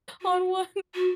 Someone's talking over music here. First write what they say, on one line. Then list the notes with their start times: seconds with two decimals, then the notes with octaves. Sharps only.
on one,
0.21 F#4
0.94 F#4